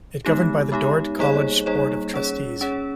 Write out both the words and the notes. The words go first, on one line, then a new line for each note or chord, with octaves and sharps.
It governed by the Dordt College Board of Trustees.
G#3 B3 D#4 G4
G#3 B3 D#4 G4
G3 A#3 D#4 G#4 C#5
G3 A#3 D#4 G#4 C#5
C#4 G#4 C#5
C#4 G#4 C#5